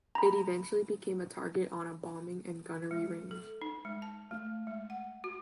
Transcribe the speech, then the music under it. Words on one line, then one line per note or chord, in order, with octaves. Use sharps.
It eventually became a target on a bombing and gunnery range.
A#5 B5
G#3
A4
D#4
G#3
A5
A3
G#3
F#5
F#4